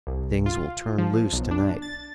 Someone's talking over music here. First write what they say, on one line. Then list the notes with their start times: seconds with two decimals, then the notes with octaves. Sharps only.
Things will turn loose to-night.
0.07 C2
0.46 F4
0.98 F3
1.32 B1
1.51 D4
1.82 A6